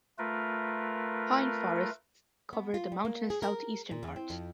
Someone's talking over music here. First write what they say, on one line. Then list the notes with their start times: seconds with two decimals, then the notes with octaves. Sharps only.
Pine forests cover the mountainous southeastern part.
0.18 A3 F4 A#4 B4
2.53 B3
2.74 F4
2.92 G3
3.05 A#3
3.30 G#4
3.42 A#4
3.91 A#2
4.03 E2
4.16 C4
4.30 F2